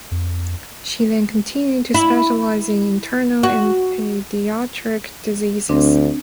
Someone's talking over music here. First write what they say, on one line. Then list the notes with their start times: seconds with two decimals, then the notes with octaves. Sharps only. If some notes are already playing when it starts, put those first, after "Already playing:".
She then continued to specialize in internal and pediatric diseases.
0.11 F2
1.94 E4
3.43 F#4
5.69 D2 C4 D4